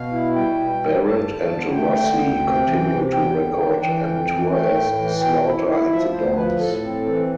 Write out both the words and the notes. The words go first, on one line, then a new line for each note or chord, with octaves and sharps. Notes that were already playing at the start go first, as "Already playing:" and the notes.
Barrett and Rossi continue to record and tour as Slaughter and the Dogs.
Already playing: B2 F5
E4
G3 G5
B2
G3
G2 A5
D3
D3
A3 G5
D3
D2
C3
E3
C3
E2 G5
D3
D4
E3 G5
F2
E3
A3 G5
A2
E3
B2 G5
E4
E4
F3 E5
D2 C5
F3 B4
A2 A4
C4
E3